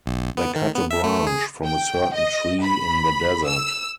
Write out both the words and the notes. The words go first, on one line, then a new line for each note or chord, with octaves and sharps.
They cut a branch from a certain tree in the desert.
B1
B3
D#3
B3
E5
A3
G#4
G5
D#5
B5
E6